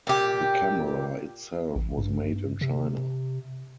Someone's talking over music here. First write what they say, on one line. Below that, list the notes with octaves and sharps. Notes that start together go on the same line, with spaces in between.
The camera itself was made in China.
A#2 G4
A1
G2
C3